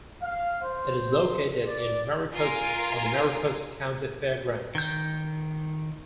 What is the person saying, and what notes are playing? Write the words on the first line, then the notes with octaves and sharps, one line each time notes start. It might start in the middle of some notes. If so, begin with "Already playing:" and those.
It is located in Mariposa on the Mariposa County fairgrounds.
F5
C5
D5
F4 A#4 F5 G#5
D#3 G6